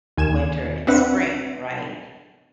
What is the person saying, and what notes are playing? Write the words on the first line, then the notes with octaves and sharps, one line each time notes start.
winter and spring, right?
D#2 G#5 G#6 E7
C4 D4 B4 E5 F#5